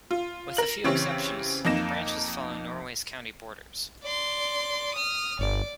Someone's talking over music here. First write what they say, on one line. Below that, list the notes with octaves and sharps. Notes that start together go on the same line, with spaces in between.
With a few exceptions the branches follow Norway's county borders.
F4
A#4 F#7
C#3 E3 C4 G4 C#5
F2 A#3 D#4 A#6 E7
D5 C6
D#6 F6
G1 D5